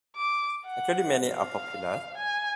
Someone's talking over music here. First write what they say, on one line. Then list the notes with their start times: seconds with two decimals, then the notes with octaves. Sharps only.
Including many are popular.
0.16 D6
0.65 F#5
1.29 F5
2.17 G#5